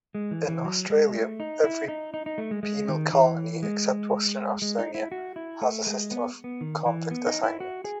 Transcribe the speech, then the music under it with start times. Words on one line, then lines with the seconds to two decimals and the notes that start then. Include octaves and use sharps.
In Australia, every penal colony except Western Australia had a system of convict assignment.
0.15 G#3
0.31 E3
0.48 E3
0.65 F#3
0.90 G#3
1.15 A3
1.40 D#4
1.64 E4
1.88 D#4
2.14 D#4
2.26 D#4
2.38 A3
2.51 G#3
2.63 G#3
2.88 D#3
3.13 E3
3.63 G#3
4.62 G#3
4.79 D#4
4.95 E4
5.12 F#4
5.36 E4
5.61 A3
5.87 G#3
6.11 B3
6.44 B3
6.61 D#3
6.86 E3
7.11 B3
7.27 D#4
7.43 E4
7.60 F#4
7.84 G#4